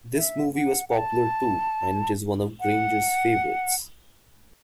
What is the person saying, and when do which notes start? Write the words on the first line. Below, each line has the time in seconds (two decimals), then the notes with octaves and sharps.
This movie was popular too, and it is one of Granger's favourites.
0.16 E5
0.56 F#5
0.89 F#5
0.97 A5
2.60 F#5